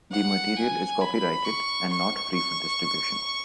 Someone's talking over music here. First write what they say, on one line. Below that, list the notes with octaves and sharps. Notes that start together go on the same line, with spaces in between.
The material is copyrighted and not free for distribution.
F#5
G#5
B5
C#6
C#6
C#6